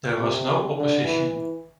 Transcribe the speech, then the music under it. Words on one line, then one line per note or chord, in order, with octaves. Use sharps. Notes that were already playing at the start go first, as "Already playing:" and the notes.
There was no opposition.
C3
D3
E3
E3